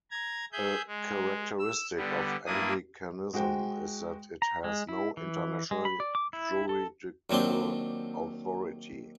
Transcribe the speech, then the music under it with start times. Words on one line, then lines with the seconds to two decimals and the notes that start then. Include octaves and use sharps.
A characteristic of Anglicanism is that it has no international juridical authority.
0.11 A#5 G#6
0.52 G#4 E5 G6
0.87 G#3
1.59 E6
1.96 D3 G3 B3
2.46 G2 A#3 D4 E4 D#6
3.33 G#3 F#4 C5 G5
4.42 A#5
4.64 G#3
4.89 E4
5.17 E3
5.71 G#3
5.85 B5
6.00 D5
6.15 D6
6.33 E4
6.69 A4
7.30 D#2 F#3 C4 D4 C6